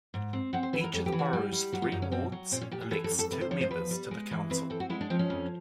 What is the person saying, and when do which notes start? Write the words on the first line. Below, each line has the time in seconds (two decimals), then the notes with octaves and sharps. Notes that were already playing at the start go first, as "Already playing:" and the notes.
Each of the borough's three wards elects two members to the council.
0.14 G#2
0.33 C4
0.53 C4 F#5
0.63 C5
0.73 E3 B4
0.84 A#4
0.93 F2 A4
1.06 G4
1.12 E3
1.19 F#4
1.33 G3
1.52 G3
1.72 F#3 F#4
1.82 F4
1.92 F#2 D#4
2.02 C#4
2.12 B2 C4
2.32 F#3
2.52 A#2 C4
2.61 C#4
2.71 A#2 G4
2.81 G#4
2.91 E3 A4
3.04 A4
3.11 F2
3.19 A4
3.31 C3 B4
3.41 C5
3.51 F3 C#5
3.61 C5
3.71 E2 B4
3.91 G3
4.11 G#3
4.31 E3
4.50 C4 B4
4.70 C4 A4
4.80 F#4
4.90 G#3 E4
5.01 D4
5.10 F3 C4
5.19 C#4
5.30 F2